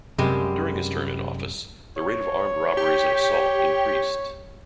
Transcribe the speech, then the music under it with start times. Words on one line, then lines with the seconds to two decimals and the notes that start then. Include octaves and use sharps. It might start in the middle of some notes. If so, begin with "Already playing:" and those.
During his term in office the rate of armed robberies and assault increased.
0.18 F#2 C3 G3 G#3 G4 A#4 B5
1.97 C#5
2.77 G4